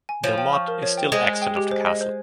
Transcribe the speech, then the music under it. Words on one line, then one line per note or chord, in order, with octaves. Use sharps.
The motte is still extant of the castle.
G#5
F3 C#5
G5
C#6
A#4
C#5
G5
G#3 C5
D#5
G5
G4
C5
D#5
C5